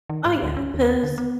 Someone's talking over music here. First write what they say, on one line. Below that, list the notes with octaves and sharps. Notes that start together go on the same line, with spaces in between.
Oh, yeah, 'cause
D#3
G#2
D2
C#4
D#2
D3
B3